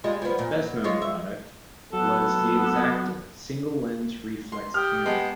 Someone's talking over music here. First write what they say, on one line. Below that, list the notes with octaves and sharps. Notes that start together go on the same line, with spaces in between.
Its best-known product was the Exakta single-lens reflex camera.
G3 G#3 F4
F3 B3
A#2
F#3
G#3 F4 C#5
E5
F#3 B3 A4
C6
G4 D#6 F6
G#3 B3 A5